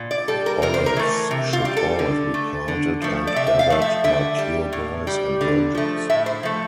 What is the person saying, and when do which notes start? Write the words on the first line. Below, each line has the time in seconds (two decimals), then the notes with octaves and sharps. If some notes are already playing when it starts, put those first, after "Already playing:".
Olives should always be planted and gathered by pure boys and virgins.
Already playing: A#2
0.11 D5
0.28 G3 A4
0.46 A#4
0.62 C3 A#4
0.74 C5
0.86 A#4
0.96 E3 A3
1.31 C3
1.53 F4
1.65 G3
1.77 A4
1.99 D3
2.34 A3
2.68 D3
3.02 F3 A3
3.27 D5
3.36 C3 E5
3.47 E5
3.59 F5
3.70 F3 A3
3.82 E5
4.04 D3 E5
4.38 G3
4.73 A2
5.07 G3
5.41 D3
5.75 F3 A3
6.10 A2 E5
6.26 C5
6.43 F3 A3